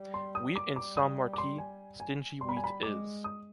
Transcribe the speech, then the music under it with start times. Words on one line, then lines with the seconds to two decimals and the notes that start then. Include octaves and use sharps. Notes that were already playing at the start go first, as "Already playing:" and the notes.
Wheat in Saint Martí, stingy wheat is.
Already playing: G3
0.14 C6
0.35 D#6
0.56 D6
0.76 G3 D6
0.97 D#6
1.33 D6
1.38 C6
1.58 G#5
2.00 G#5
2.41 G3 C6
2.49 B5
2.57 G#5
2.64 B5
2.83 G#3 D6
3.24 D#6